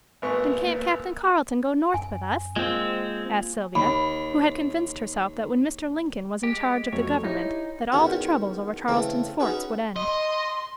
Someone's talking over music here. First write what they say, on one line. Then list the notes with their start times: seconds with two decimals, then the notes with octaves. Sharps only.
"Then can't Captain Carleton go north with us?" asked Sylvia, who had convinced herself that when Mr. Lincoln was in charge of the Government that all the troubles over Charleston's forts would end.
0.22 G#1 A#3 B3 C#6
1.94 F#2 G#5
2.56 G#3 A#3 C4 F4
3.75 D#2 B5
6.43 G#3 G4
6.93 F2 F#3 A3 C#5
7.24 D#4 E4 G4 C#5
7.92 E2 D#3 C#4 F#4
8.88 C#3 E3 A3 C4
9.40 C#4 D#4 F#4 G#4 B4
9.96 D#5 C6